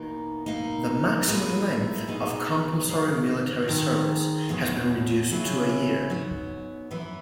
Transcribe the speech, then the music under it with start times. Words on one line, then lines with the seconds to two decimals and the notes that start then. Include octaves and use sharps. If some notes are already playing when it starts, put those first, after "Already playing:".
The maximum length of compulsory military service has been reduced to a year.
Already playing: E2 B2 A#3 D#4
0.46 B2 A#3 D#4
1.26 A#2 G#3 B3 E4
2.07 B2 G#3 D#4
2.88 D#2 C#3 F#3
3.68 G#2 D#3 G#3
4.49 E2 B2 F#3
5.30 D#2 C#3 F#3 C#4 E4
6.10 G#2 F#3 B3
6.91 F#2 E3 B3 E4